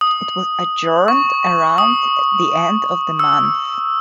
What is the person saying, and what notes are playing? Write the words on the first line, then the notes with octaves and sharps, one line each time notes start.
It was adjourned around the end of the month.
D#6
C#6
D#6
E6